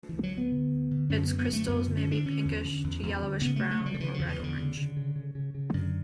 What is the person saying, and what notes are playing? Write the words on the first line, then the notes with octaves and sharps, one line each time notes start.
Its crystals may be pinkish to yellowish brown or red-orange.
D2 E3
F#3
D2 B3
D3
D2
D3
F#2 C#4
B3
D3
B3
F#2 A3
F#2 B3
D3
C#4
D3 D4
D3 C#4
E2
D3
E2
E2
D3
C#3 B3
A3
C#3
A3
C#3
G3
D3
C#3 E3
E2 D3
E3
E2 D3
C#3
C#3
C#3
C#3
C#3
C#3
F#2 D3